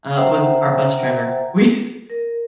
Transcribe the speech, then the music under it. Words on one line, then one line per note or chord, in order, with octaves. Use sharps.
uh, was our bus driver. We
C5 E5 F#5 G5 A#5
A#4